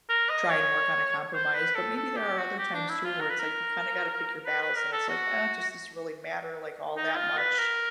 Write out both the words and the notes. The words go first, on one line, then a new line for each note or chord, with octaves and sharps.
try and work on a compromise, but maybe there are other times too, where it's like you kinda gotta pick your battles, and it's like, "Uh, does this really matter, like, all that much?"
A#4
D#5
C#5
C5
B4
A4
A4
G4
F#4
G4
D4
E4
F4
A#4
B4
A#4
B4
B4
A#4
A4
F#4
D#4
F4
B4
A#4